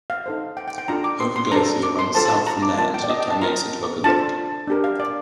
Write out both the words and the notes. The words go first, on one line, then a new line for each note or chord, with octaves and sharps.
Hooker Glacier runs south from there until its terminus at Hooker Lake.
F5
D#4 A4 C5
G5
G5
G5
D4 F4 A4 A#5
D6
C6
C6
D4 A4 C5 A#5
D6
C6
F4 A4 C5 A5
A5
A5
A#5
D6
F4 A#4 A5
G5
D5
D#5
G5
A5
F4 A#4 A#5
D4 F4 A4 C5 A5
D4 G4 A#4
F5
D5